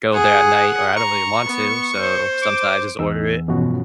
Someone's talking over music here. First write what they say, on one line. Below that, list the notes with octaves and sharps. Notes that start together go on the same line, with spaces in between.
go there at night or I don't really want to, so, sometimes I just order it
G#4 F#5
A#5 C#6
B3
C5
D6
E2 D#4 E6
G2 B2 E3 F3 C#4 F#4